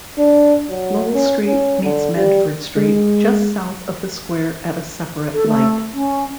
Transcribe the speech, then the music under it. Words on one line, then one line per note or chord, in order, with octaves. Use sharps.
Lowell Street meets Medford Street just south of the square at a separate light.
D4
F#3
C#4
C#4
D3
G3
G#3
A4
A3
C#4